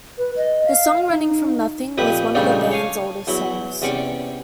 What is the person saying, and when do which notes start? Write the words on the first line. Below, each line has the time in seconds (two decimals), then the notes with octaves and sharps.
The song "Running From Nothing" was one of the band's oldest songs.
0.18 B4
0.36 D#5
0.65 F5
1.11 D#4
1.98 F2 A#2 G4 B4 E5 D#6
2.35 A#2 C#3 G3 A3 D4 D#4
2.71 C#5 F5 G#5 A5
3.27 E2 F#3 E4
3.82 E2 C3 C#4 D5 C#6 D6